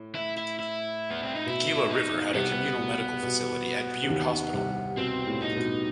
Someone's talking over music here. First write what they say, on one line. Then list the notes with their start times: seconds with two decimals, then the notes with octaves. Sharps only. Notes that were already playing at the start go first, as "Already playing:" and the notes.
Gila River had a communal medical facility at Butte Hospital.
Already playing: A2
0.15 E4
0.37 E4
0.59 E4
1.11 B3
1.23 C4
1.35 D#4
1.46 B2 E4
1.90 D#4
2.34 C2 C3 B3
2.79 B2
3.23 B2
4.04 C3
4.10 D#2 D#3
4.53 C2 C3
4.97 B2 C4
5.27 A2
5.42 D#4
5.56 B2